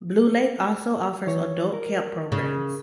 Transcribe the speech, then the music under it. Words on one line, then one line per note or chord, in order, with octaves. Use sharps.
Blue Lake also offers adult camp programs.
E3 C#5
A#4
C#3